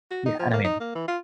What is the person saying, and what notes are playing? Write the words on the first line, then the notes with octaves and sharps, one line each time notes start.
Yeah, I don't mean
F#4
D#4
F3
A#3
D#4
A#3
E3
F4